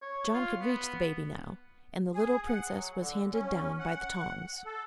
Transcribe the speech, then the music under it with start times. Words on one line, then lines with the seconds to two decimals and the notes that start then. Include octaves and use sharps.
John could reach the baby now, and the little princess was handed down by the tongs.
0.02 C#5
0.34 F4
0.62 B3
2.14 G#4
2.47 F#5
2.73 F#3
2.98 D3
3.32 C#4
3.79 F#5
4.66 A4